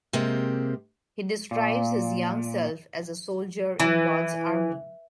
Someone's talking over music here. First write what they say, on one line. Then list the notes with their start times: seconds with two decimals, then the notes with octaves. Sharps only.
He describes his young self as a "soldier in God's army".
0.13 C3 G#3 A#3 C4 G4
1.51 A#2
3.80 E3